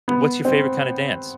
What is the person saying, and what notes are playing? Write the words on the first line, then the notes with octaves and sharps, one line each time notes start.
what's your favorite kind of dance?
B3
C4